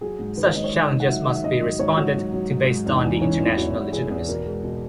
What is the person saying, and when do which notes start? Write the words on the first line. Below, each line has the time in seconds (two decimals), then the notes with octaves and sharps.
Such challenges must be responded to based on the international legitimacy.
0.01 F#3 G#4
0.19 G#2
0.37 D#3 B4
0.46 C#5
0.55 G#2 D#5
0.64 C#5
0.73 D#3 D#5
0.91 D#3
1.00 F#5
1.09 F#3 E5
1.26 D#3 F#5
1.35 E5
1.44 G#2 D#5
1.62 F#3
1.79 G#2 C#5
1.97 G#2 F#4
2.16 F#3
2.33 F#3
2.51 G#2
2.68 G#2
2.86 E2 D#4
3.04 E3
3.16 D#4
3.21 E3 C#4
3.33 D#4
3.39 E2
3.46 E4
3.57 E2 F#4
3.75 E2
3.93 E3 G#4
4.10 E2
4.28 B2 A#4
4.46 G#3
4.64 B2